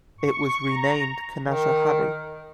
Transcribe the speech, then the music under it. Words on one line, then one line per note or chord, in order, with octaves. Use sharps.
It was renamed Canajoharie.
C#6
A#5
D#3